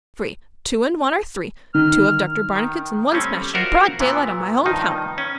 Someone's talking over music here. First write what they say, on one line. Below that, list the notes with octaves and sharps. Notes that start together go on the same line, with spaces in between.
Three--two and one are three--two of Dr. Barnicot's, and one smashed in broad daylight on my own counter.
D#3 F6
D#3
G3 A3 C4 C#4
F4 F#4 A#4 C5 D5 E5
A#2 E3 B3
G2 D#3 F3 D#4
C#4